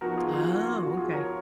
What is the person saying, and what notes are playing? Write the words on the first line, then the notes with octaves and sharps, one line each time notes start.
Oh, okay.
F3 B3 D#4 F#4 A#4
F4 G#4
F4 G#4
F#4
F4
F#4
F4 G#4
A#4 C#5